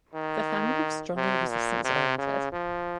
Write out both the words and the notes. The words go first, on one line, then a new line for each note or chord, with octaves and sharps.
The family was strongly resistance oriented.
D#3
C3
A#2
C3
C#3
F3